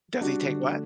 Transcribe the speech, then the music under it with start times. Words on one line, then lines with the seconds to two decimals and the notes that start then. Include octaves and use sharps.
Does he take what?
0.21 G3 D4 F#4
0.46 D3
0.70 A3